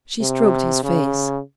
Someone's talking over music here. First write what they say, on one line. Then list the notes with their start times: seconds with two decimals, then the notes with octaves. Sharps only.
She stroked his face.
0.21 C3
0.83 C#3